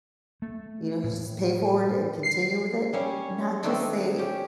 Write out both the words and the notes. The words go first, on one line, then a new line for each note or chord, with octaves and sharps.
You know, you just pay it forward and continue with it, not just say,
A3
A2
C7
G3 C#4 C#5
D#3 A3 C4 D4
C#4 G4